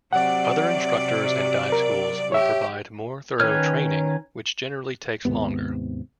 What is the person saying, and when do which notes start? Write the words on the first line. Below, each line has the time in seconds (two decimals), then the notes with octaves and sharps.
Other instructors and dive schools will provide more thorough training, which generally takes longer.
0.13 C3 F#3 D5 F#5
1.72 A#4
2.32 G4 C#5 E5
3.40 D#3 C#4 B4 C#5 F6
5.25 D#2 G#2 C3 B3